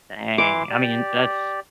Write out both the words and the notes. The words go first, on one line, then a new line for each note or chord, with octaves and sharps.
Dang. I mean, that's
E3 E4 C6 D6
G4 D5